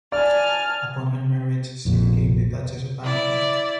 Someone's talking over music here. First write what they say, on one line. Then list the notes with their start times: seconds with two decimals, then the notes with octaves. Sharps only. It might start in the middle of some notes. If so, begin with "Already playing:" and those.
Upon her marriage she became the Duchess of Anhalt.
0.12 D5 G#5 A5 F6
1.85 A#1 F2 A#2
3.03 E4 D5